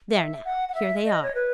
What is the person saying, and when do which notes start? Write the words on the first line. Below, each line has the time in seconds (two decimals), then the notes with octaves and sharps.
There now, here they are.
0.15 E5
0.45 F#5
0.69 F#5
0.75 E5
1.05 D#5
1.23 C#5
1.35 B4